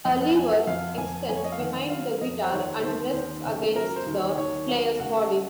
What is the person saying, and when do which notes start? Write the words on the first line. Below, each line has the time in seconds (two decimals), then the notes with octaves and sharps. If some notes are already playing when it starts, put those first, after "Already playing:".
A lever extends behind the guitar and rests against the player's body.
0.05 F2 D#5
0.21 F#5
0.36 F#3 G#5
0.51 F#5
0.67 F2 F5
0.98 F2 G#5
1.29 F2 G#5
1.36 C#5
1.44 D#5
1.52 F5
1.59 D#3 F#5
1.90 F#3 F5
2.21 F2 D#5
2.43 C5
2.52 D#2 C#5
2.83 D#2 C5
3.14 D#2 C5
3.45 C#3
3.75 F#3 A#4
3.96 C5
4.06 D#2
4.17 C#5
4.38 D#2 C#5
4.68 F#3 F5
5.00 C#3 F#5